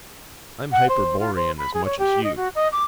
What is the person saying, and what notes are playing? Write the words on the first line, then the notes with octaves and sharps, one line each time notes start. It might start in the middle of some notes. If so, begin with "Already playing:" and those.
I'm hyperborean as much as you.
F#5
C5
F4
C5
B5
G#4
C#5
G4
D#5
F#4
D#5
D6